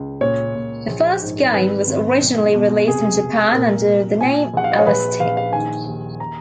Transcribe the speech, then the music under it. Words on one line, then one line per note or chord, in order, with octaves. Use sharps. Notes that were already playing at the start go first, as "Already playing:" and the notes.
The first game was originally released in Japan under the name Aleste.
Already playing: C#2
A#2 C#5
A#2
A#1
G#2
G#1 B4
G#1
B1
B2
F1 G#4
F1
A#2 A#4
A#2
A#2 G#5
A#1 F#5
F5
D#5
C#5
A#1 B4
A#1 F5
F5
D#3 G#5
D#2
A#5